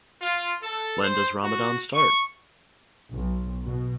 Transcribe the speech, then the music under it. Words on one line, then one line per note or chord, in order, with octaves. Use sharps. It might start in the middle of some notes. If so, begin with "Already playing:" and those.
When does Ramadan start?
F4
A4
C5
F#4
C#6
B1
B2